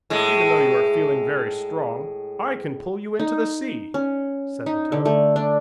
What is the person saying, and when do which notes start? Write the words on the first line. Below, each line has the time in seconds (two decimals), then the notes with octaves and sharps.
"Even though you are feeling very strong I can pull you into the sea," said the toad.
0.10 A2 G#3
3.19 D#4
3.94 C#4
4.66 D#4
4.92 D3
5.05 A3
5.36 D4